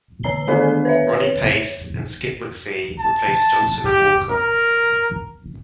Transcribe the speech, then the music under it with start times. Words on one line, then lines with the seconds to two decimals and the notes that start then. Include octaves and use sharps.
Ronnie Pace and Skip McPhee replaced Johnson and Walker.
0.23 D3 E3 A#5 C7 G7
0.47 D#3 G#3 B3 D4 A4 D5
0.85 B4 C#5 E5
1.17 C#5
2.99 A5
3.85 G4
4.30 A#4